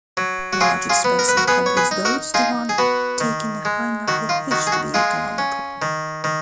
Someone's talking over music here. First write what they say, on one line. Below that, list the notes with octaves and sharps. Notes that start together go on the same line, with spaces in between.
Large expensive complex boats demand taking a high number of fish to be economical.
F#3
F#4
F#3 F4 G#4
F4 G#4
B3
A#4
B4
F#4 A#4
B3 G#4 B4
C#5
G#4 B4
D#4
F#4 A#4
D#4 F4 G#4
G#4
B3 F#4
D#3
G#3
D#3 F#4
F4
D#3 F#4
G#4
F#4
G#3 F4 G#4
C#4
D#3
D#3